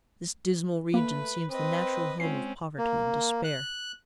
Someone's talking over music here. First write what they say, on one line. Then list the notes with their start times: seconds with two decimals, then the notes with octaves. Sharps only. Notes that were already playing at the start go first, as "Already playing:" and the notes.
This dismal region seems the natural home of poverty and despair.
0.94 A3 A#3 B4
1.50 C4 B4 D#5
2.20 G#3 C4 C#4 F4 C7
2.78 A#3
3.44 F#6